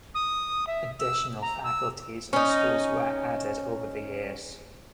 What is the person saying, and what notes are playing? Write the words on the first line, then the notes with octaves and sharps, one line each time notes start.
Additional faculties and schools were added over the years.
D#6
E5
E6
A#5
E6
C#4 D#4